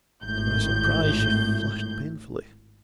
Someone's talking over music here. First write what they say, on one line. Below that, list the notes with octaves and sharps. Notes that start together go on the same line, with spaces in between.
To my surprise, she flushed painfully.
G#1 A2 G6